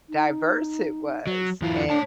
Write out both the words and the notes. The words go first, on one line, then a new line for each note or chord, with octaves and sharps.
diverse it was, and
D#4
F#3
E2 E3 E4 F4
D4 C#5 A5